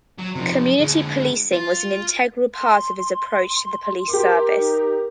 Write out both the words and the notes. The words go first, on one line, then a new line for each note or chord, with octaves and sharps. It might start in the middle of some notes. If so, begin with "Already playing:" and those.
Community policing was an integral part of his approach to the police service.
F#3
C3 F3
D3 G#3
F4
C6
G4 A#4 D6
D#4